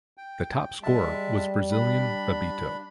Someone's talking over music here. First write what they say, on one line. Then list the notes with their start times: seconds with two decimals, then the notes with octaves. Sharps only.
The top scorer was Brazilian Bebeto.
0.18 G5
0.83 G3 G#3 E5 A5
1.72 D4 B5